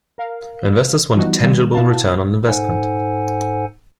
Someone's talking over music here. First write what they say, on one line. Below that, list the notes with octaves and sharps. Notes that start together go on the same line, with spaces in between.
Investors want a tangible return on investment.
A#4 F5
E3 F3 G3 B3 D#4 F#4
D#3 G3
B2 B3 E4 F#4 F5 A5
G#2 D#4 A4 C5 F#5 G#5